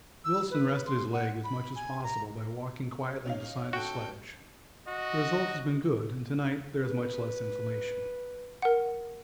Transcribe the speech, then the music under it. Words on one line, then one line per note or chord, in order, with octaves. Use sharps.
Wilson rested his leg as much as possible by walking quietly beside the sledge; the result has been good, and to-night there is much less inflammation.
E6
B4
C6
F#5
B5
G#5
A#5
C#4 D#4 F5
F#4 A4 G5
F#4 D#5
B4
A#4 F#5